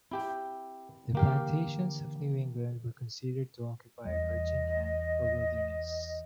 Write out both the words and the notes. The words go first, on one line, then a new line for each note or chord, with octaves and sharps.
The Plantations of New England were considered to occupy "virgin" land or wilderness.
C4 E4 G4 G5
D3 E3 A#3 G4 F5
E2 G3 D#5